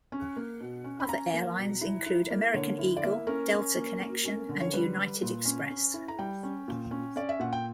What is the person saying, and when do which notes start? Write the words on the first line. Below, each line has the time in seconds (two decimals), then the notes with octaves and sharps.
Other airlines include American Eagle, Delta Connection and United Express.
0.12 C#4
0.37 A#3
0.61 B2
0.84 C#4
1.00 B5
1.08 C#4 A#5
1.33 A#3
1.58 B2
1.81 E4
2.06 E4
2.30 A#3
2.54 D3 C#5
2.79 E4
2.97 D5
3.03 A#3 E5
3.27 C#4 A#4
3.52 C#4
3.76 A#3
4.00 A#3
4.25 C#4
4.49 D3
4.61 C#5
4.73 G3 B4
4.97 G3
5.22 A#2
5.45 C#4
5.70 C#4
5.94 E4
6.08 A#5
6.19 G3 G5
6.43 C#4
6.68 A#2
6.91 C#4
7.16 C#4 D5
7.29 E5
7.40 A#2 F#5
7.53 G5